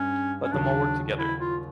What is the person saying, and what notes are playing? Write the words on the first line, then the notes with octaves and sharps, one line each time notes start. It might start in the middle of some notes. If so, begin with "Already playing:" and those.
Let them all work together.
Already playing: G2 C#4
C#4
D#2 C#3 F#3 D4
E4
F4